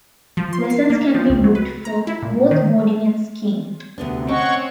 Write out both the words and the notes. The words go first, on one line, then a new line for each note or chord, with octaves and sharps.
Lessons can be booked for both boarding and skiing.
F3
C6
C7
A#3
F3
C#2
F#3
B4
A#5
E4
A#2
D#3
D2 C3 B3 D4
C4 C#4 C#5 D#5 F#5 C#6